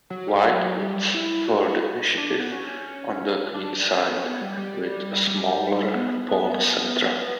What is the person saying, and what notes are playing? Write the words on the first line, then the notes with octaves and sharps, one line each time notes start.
White opts for the initiative on the queenside with a smaller pawn center.
F#3
G3
F#3
G3
E4
F#4
D4
B3
C#4
D4
C#4
B3
C#4
B3
G3
G3
G3
B3